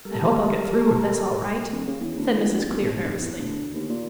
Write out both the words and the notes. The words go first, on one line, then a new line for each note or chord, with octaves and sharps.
"I hope I'll get through with this all right," said Mrs. Clear nervously.
G3 A4 A#4
D#1
C#3
E2
D2
E3
A#1
G#1
F1
E2
D2
D#2
A#2